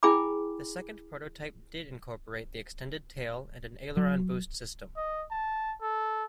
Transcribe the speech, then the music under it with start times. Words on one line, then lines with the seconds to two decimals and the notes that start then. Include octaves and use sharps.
The second prototype did incorporate the extended tail and an aileron boost system.
0.03 E4 G#4 G5 G#5 B5 D6
3.97 F#3
4.97 D#5
5.31 A5
5.81 A4